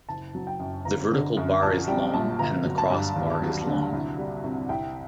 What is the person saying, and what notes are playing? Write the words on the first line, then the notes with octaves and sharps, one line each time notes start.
The vertical bar is long and the crossbar is long.
F#1 A5
F#3
G5
F#2
G1 A#5
D3
F#2
A#1 A5
G3 G5
A#2 A5
G1 A#5
F#3
A5
G2
D#2
F#3
D3
C2
G3
C3
C2 G5